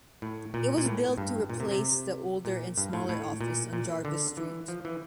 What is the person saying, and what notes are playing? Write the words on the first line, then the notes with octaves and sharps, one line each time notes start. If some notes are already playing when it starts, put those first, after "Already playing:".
It was built to replace the older and smaller office on Jarvis Street.
A2
A#2
A#2
A2
G2
A#2
C3
C3
A#2
G2
A2
A2
A#2
A#2
D3
E3
F3
E3